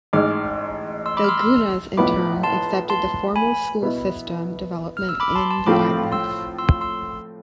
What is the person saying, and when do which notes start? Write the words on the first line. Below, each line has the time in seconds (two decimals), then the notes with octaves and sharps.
The Gunas in turn, accepted the formal school system development in the islands.
0.13 A1 G#2 G#3 D6 F6
1.06 C6 E6
1.17 B5 D6
1.24 F6
1.29 C6 E6
1.40 C6 E6
1.97 B1 A2 F3 B3 E4 B5 D6
2.43 A5 C6
2.90 A5 C6
3.36 G#5 B5
3.82 B2 B3 E4
4.97 F6
5.09 E6
5.20 B5 D6
5.35 A5 C6
5.50 A5 C6
5.66 A2 F3 A3 C4 F4 B5 D6
6.12 C6 E6
6.58 C6 E6
6.81 C6 E6